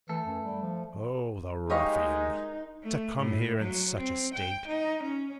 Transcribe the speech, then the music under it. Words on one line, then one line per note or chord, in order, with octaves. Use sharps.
O the ruffian! to come here in such a state!
E3 A3 A4
F#2
G3
F3
G#3 D#4 G4 A#4 C#5 D#5 F5
A3
A2
F#3
C4
G5
D#4
C#4